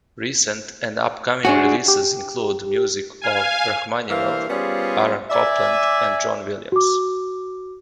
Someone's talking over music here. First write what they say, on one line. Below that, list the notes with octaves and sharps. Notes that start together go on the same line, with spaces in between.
Recent and upcoming releases include music of Rachmaninoff, Aaron Copland, and John Williams.
D4 F#4 G#4 C#5
G4
F5 G#5
G2 E3 A#3 C5 F5
G3 B3 C#4 F4 G#4 C5
D5 E5 G#5
F#4 D6